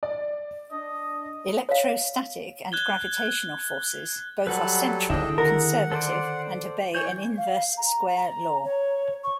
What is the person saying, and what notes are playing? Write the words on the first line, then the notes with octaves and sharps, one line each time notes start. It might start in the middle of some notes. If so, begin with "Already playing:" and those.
Electrostatic and gravitational forces both are central, conservative and obey an inverse-square law.
D5
D4 D#5
C#5 F5
F#6 G#6 G7
F#3 G3 A4 B4 F#5 B5
D3 D#3 D4 E4 G#4 A4 D#5 G5
A#4 F#5
A4 C5 D5
E3 C#5 G6
F5
A#5
A#5
C#5
C#6